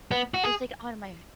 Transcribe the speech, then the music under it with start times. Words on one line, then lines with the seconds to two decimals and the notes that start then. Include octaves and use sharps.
is like, on my
0.11 B3
0.34 F#4
0.44 G#4